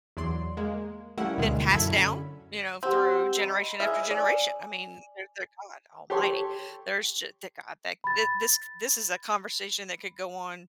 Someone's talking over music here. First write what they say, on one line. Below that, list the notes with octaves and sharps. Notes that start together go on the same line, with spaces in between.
eh, been passed down, you know, through generation after generation? I mean, they're they're god almighty. There's j thank god that thi this c this is a conversation that could go on
E2 F#3 D5 C6
G#3 A#3
G3 A3 A#3 C#4 E4 F#5
D2 B2 D#3 G#3 A#3
F#2 F#3 E4 A4 B5 G#6
D3 C#4
C4 G4 F#5 E6
D#5 A#5 B5
G#4 D#5 E5 E6 F6
D5 G#5
G4 A4 C#5 C6
B5 A6